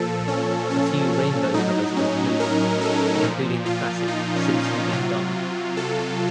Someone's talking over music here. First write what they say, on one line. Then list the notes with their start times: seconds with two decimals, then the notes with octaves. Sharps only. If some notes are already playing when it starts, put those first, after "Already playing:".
A few Rainbow covers were included, including the classic "Since You Been Gone".
Already playing: A#2 F3 A4
0.28 C#4
0.71 C#4
1.13 C#4
1.54 A2 F#3 D#4
1.96 C#4
2.40 A#4
2.81 A4
3.23 A#2 F3
3.66 F4
4.08 D#4
4.36 C#4
4.65 D#4
4.93 C3 F#3 F4
5.77 A4